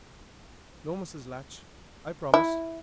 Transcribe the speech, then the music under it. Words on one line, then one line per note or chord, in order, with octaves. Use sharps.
"No, Mrs. Latch, I promise."
E4